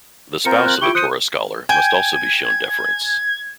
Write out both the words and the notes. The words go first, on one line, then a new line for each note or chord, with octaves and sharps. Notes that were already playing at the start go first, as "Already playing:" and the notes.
The spouse of a Torah scholar must also be shown deference.
C4 F4 A#4 A#5 C#7
F#6 F#7
E4 F4 G4 C#6 D7 G7
C5 D#6 F#6 C#7 D#7
G5 G#5 G#6